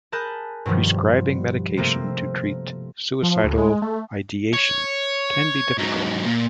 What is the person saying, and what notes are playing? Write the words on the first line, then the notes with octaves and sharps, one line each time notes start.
Prescribing medication to treat suicidal ideation can be difficult.
G#4 A#4 A5 B5 F#6 G6
G2 B2 D#3 F3 G3
C3 A3 A#3 C4
F3
D2
G#3
A3
C#5
G#2 F#3
A#2